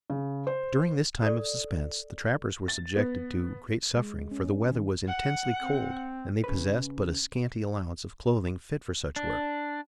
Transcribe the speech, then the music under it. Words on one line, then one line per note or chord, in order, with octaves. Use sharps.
During this time of suspense the trappers were subjected to great suffering for the weather was intensely cold and they possessed but a scanty allowance of clothing fit for such work.
C#3
C5
A4 D5
A6
B3
G#3
C#4
D#3
F#5
C4
C#3 B4
D4